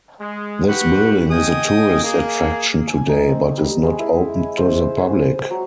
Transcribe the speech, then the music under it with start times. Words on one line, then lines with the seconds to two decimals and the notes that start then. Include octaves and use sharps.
This building is a tourist attraction today, but is not open to the public.
0.20 G#3
0.68 F#4 G4 B4 F#5
1.30 D#5 G5 G#5 D#6
2.03 A#3 G#4
2.87 G#5
3.09 D#4
3.28 C4
3.58 G3
3.83 G#3
3.99 E4
4.35 G#5
4.58 C5
4.97 G#5
5.12 D#6
5.51 F#3